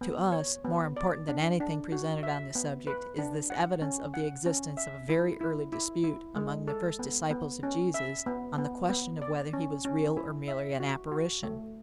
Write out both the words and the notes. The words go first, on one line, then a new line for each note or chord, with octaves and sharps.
To us, more important than anything presented on this subject, is this evidence of the existence of a very early dispute among the first disciples of Jesus on the question of whether he was real or merely an apparition.
B3
C#5
B3
D5
D4
D4
F#4
E5
B3
B4
D4
F#5
C#4
F#5
C#4
E5
E4
E4
E4
E4
G#3
A4
B3
B3
C#4
E5
B3
B3
B3
D5
C#4
C#4
E4
E5
F#4
F#4
A3